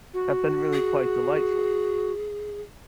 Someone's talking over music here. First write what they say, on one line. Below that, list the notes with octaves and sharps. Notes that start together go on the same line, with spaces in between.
have been really quite delightful.
F#4
G#4